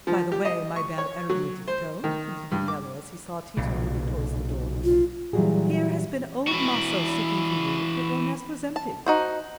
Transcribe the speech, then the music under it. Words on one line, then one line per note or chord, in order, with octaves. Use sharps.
By the way, my bel erudito," continued Nello, as he saw Tito moving towards the door, "here has been old Maso seeking for you, but your nest was empty.
F3
G4
D#5
C#6
C#5
F#3
C5
D#3
G2
D6
B1 A#2 C#3
F4
A#2 E3 F#3 G3 F#4 G#4
E3 F#4
A5
D#4 F#4 C5